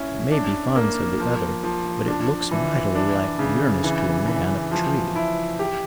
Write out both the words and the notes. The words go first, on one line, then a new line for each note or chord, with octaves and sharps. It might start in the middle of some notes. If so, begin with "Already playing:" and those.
"It may be fun," said the other, "but it looks mightily like yearnest to a man up a tree."
Already playing: C#4 E4
D4
A#3
F3
F3
D4
E3
D4
C#3
E3
E3
F3
E4
G4